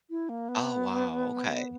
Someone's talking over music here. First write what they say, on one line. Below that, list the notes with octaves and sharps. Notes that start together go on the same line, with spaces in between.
Ah, wow, okay.
E4
A#3
B3